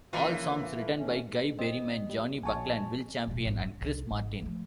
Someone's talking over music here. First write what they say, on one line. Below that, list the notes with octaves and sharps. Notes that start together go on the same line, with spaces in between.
All songs written by Guy Berryman, Jonny Buckland, Will Champion and Chris Martin.
C#3 E3 A#3 F4
A3 E4
E3 A3 C#4
C4 D#5
G3
A#1 F#4 C#5 G#5 A5
D#1 B1
G#1 F#2
D4
C2
G#1
F3 A3